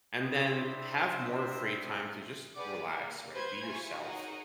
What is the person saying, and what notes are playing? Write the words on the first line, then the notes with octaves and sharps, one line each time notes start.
And then, have more free time to just relax, right? Be yourself,
C4 D4 E4 C5 E5 D#6
G4 G#4 B4 D5 F#5 D6
A#3
B4 C5 G6 G#6
E4 F4 G#5 C#6
D#4 F#4 G#4 A#4 C#5 D#5